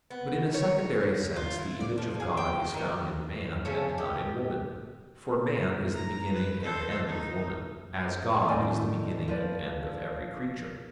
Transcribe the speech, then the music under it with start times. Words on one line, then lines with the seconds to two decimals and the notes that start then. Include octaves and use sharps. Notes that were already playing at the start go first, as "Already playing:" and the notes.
But in a secondary sense the image of God is found in man, and not in woman: for man is the beginning and end of woman; as God is the beginning and end of every creature.
0.11 B3
0.54 C#5
1.36 F4
1.59 E4
1.81 D5
1.98 F3
2.20 G#4
2.37 G5
2.74 D#3
3.65 C#3 F3 A3 C#4
3.98 G4
5.94 A#5
6.33 B4
6.61 A4 C5
7.06 D#4
8.49 A2 D#3 D5 D#5 G#5
9.28 F3 B4 D5